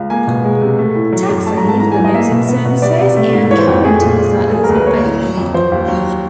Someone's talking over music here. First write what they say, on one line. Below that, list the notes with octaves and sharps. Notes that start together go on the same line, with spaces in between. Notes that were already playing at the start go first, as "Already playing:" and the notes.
Taxi, limousine services, and car rentals are also available.
Already playing: C#2
A#3 G#5
B2
G#3
C3
A3
A2
F#3
F#2
A3 A5
A#5
G#2
A5
E3 A#5
G#5
E2
D#5
A#3 E5
B2
B3
B2
G3 D5
C3
A3
G#2
E3 C#5
C5
F2
A3 G#4
A#2
G#3
G2
A4
F#3 G#4
A#4
D2
B4
A#3 C#5
A2
F#3
F2
F3 C5
D#2
F#3